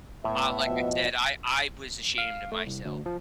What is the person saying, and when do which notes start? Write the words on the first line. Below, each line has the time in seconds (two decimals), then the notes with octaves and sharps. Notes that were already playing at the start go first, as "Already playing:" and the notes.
Ah, like I said, I I was ashamed of myself.
0.24 A2 B3 E5
0.66 B2 F3 D#5
2.18 F5
2.52 A3
2.66 C2
2.85 D2
3.06 F3